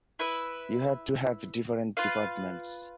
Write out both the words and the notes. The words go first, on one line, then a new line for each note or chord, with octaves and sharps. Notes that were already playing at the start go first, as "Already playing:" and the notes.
You have to have different departments.
E4 B4 E5
F4 B4 F5